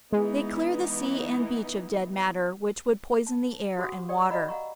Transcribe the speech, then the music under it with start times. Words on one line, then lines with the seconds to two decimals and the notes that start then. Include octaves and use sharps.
They clear the sea and beach of dead matter which would poison the air and water.
0.12 E3 G#3 B3 D#4
3.27 A5
3.78 F#4 G4 C5 F#5 D6 D#6
4.08 G4 D5 G5 D#6
4.30 D5 D#5 F#5 A#5 B5 E6
4.49 F5 F#5 A#5 C#6